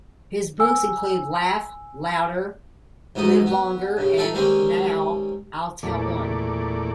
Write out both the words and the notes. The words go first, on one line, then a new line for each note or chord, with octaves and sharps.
His books include "Laugh Louder, Live Longer" and "Now I'll Tell One".
G#5 E6
D2 G#2 B2 D#4 D#6
B3
G2 C#3
D#4 F4 A4 E5 A5 B5
D#3 G3 G#3 A#3 C4 C#4
E2 A#2 A3 D5